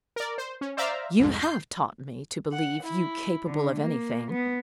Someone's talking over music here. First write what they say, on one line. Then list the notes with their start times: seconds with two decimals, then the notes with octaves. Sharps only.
"You have taught me to believe you capable of anything."
0.16 A#4 D5
0.38 C5
0.61 C#4
0.77 C5 D5 E5 F5 A#5
1.19 C2 F2 G#2
1.41 G6 C7
2.53 F#5
2.84 E4
3.46 D3
3.79 A#3
4.30 B3